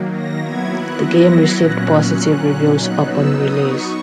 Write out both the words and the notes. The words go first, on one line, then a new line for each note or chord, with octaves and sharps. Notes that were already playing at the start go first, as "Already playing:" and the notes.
The game received positive reviews upon release.
Already playing: D#3 F#3 A#3
A#6
F#3 B3 E4 G#6
F#6
A#6
A#2 F#3 C#4 F#6
F#3 B3 D#4 F#6
E6
D#6
C#6